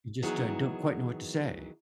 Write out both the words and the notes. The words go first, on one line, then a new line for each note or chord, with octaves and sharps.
You just, uh, don't quite know what to say.
D#3 E3 F#3 B3 F#4 G#4